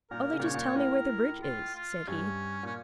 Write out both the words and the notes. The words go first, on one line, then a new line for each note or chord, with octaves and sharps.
"Only just tell me where the bridge is," said he.
A#2 A#4
C#3
A#2
C#3 C#5
A#2
A2 A#4
F4
F4
G2 C#4
A#2 C#4